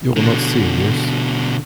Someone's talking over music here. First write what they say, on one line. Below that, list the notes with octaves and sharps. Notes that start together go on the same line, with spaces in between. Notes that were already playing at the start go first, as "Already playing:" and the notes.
You're not serious.
B2 D3